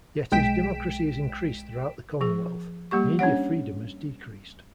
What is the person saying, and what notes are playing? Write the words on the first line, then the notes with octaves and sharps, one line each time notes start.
Yet as democracy has increased throughout the Commonwealth, media freedom has decreased.
B1 G#3 G5 B6 D7 E7
F3 G#4
G3 A#3 G4 C#6
C#4 D4 C#5 F#5